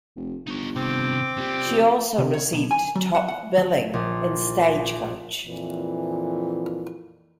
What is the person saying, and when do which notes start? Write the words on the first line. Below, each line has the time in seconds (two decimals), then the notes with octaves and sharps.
She also received top-billing in "Stagecoach".
0.16 F1
0.47 G1 D#4 C#5
0.76 C3 D#3 C4 G5 D6
1.37 D#1 C3 G3
1.65 F2
2.18 C3
2.34 C#5
2.53 B1
2.71 G#5
2.95 F#3
3.15 F#5
3.28 F#5
3.58 F3
3.94 A#1
5.46 F2 A#2 E3